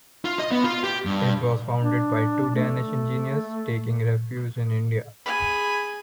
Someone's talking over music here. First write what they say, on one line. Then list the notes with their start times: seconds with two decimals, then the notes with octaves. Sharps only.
It was founded by two Danish engineers taking refuge in India.
0.25 F4
0.39 D#5
0.51 B3
0.64 F4
0.84 G4
1.05 G2
1.82 D4
2.55 A3
5.26 G#4 G#5 B5